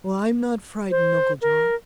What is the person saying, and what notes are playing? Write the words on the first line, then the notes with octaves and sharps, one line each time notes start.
"I'm not frightened, Uncle John."
C5
A#4